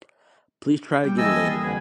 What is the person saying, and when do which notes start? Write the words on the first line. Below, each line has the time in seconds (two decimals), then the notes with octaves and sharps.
Please try again later.
1.04 G3 G5
1.18 E3 A#3 A4 D#5 G#5 E6
1.49 G#4
1.64 F2 D3 B4 G#5